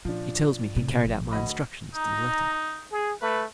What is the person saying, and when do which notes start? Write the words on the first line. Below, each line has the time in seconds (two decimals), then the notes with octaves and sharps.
He tells me he carried out my instructions to the letter.
0.05 A#2 F3 D4
0.76 A2 C3
1.05 A1 F3
1.31 D2 D#5 B5
1.95 D#4 A#5
2.92 G#4
3.22 A3 B4